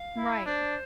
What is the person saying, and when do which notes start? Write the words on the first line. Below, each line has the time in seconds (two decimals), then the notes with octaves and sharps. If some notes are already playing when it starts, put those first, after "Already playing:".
Mm right.
Already playing: F5
0.17 E4
0.46 D4 C5